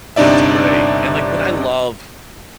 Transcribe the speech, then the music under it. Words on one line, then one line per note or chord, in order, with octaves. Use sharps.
it's great, and, like, what I love,
G1 C3 D4 D#4 D5 E5